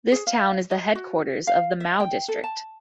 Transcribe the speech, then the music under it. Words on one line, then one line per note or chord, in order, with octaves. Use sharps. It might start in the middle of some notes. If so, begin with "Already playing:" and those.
This town is the headquarters of the Mau district.
G#4
F5
D#5
F#4
F5
E5
G5
A4
A5